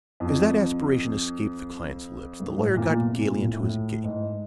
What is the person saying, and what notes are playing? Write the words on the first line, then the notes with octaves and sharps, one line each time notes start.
As that aspiration escaped the client's lips, the lawyer got gayly into his gig.
F2
G2
A2
A#2
B2
C3
A#2
A2
A#2
A2
G#2